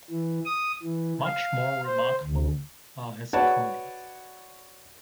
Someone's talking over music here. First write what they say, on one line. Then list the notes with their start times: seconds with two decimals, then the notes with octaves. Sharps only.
Much more remarkable are his comedies.
0.10 E3
0.45 D#6
0.83 E3
1.25 F5
1.85 C5
2.24 D2
3.33 F#4 B4 C#5 D5 F#5 A5